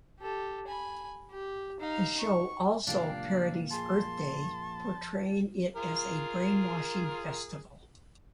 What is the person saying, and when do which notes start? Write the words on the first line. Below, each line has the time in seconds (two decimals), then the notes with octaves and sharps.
The show also parodies Earth Day, portraying it as a brainwashing festival.
0.20 G4 A4
0.67 G#5 B5
1.31 G4
1.80 D#4 F5
2.20 C#6
2.87 C#2 F#2 A#2 A#3 D4 G4 F5
3.71 F2 G#4 A5 C6
5.76 F4 G#4 A#4